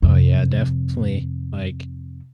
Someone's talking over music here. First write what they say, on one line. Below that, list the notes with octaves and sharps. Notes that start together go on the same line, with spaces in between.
Oh, yeah, definitely. Like,
F2 C3